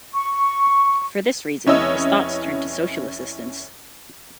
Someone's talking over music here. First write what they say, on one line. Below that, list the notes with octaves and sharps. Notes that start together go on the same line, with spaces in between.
For this reason, his thoughts turned to social assistance.
C#6
F1 C#4 E4 D#5 E6